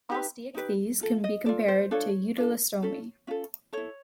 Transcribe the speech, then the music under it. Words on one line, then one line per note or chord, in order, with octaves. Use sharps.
Osteichthyes can be compared to Euteleostomi.
D#4 G4 B4
D#4 G4 B4
F4 A4
D#5
F4 A4 D5
C5
D4 F4 A4 C#5
D4 F4 A4
C#4 F4 A4
C#4 F4 A4
E4 A4 C#5